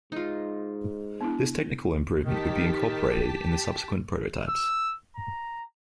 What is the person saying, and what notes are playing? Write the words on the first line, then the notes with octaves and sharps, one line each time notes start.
This technical improvement would be incorporated in the subsequent prototypes.
G#2 D#4 F4
B3 D4 E4
D#3 G4 A5 B6
E6
A#5